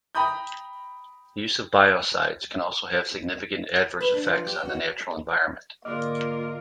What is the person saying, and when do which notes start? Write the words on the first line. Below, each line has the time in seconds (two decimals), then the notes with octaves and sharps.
The use of biocides can also have significant adverse effects on the natural environment.
0.15 G5 A#5 B5 D#6 G6
4.01 B4
4.14 D4
4.26 F3
4.47 G4
4.66 F#4
5.85 G#2 D3 A#3 F4 A#4 D#5 D6 F6